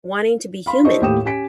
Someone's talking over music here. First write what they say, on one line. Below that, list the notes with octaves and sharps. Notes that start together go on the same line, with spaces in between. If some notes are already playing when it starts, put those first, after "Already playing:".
wanting to be human.
F5 B5 C6
D4 E4 G4 C5 D#5 C#6
D#2 A2 G4 G5 D#6 E7
C#4 G4 G#5 B6 D7